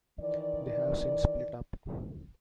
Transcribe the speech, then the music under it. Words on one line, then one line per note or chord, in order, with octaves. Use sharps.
They have since split up.
D#3 E3 D5